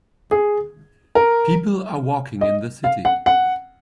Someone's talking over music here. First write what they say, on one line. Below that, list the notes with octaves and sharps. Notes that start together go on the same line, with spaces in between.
People are walking in the city.
G#4
A#4
D#5
F5
F#5
F#5